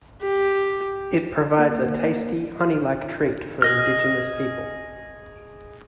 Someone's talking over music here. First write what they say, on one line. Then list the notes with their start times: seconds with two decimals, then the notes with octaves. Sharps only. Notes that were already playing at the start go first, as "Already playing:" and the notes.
It provides a tasty, honey-like treat for indigenous people.
0.22 G4
1.59 A#3
3.62 G#4 D#5 F6